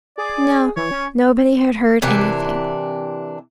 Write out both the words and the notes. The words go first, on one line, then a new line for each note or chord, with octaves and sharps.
No, nobody had heard anything.
G#4 D5
E3 C#5
C#4
C3 E3 D4 A#4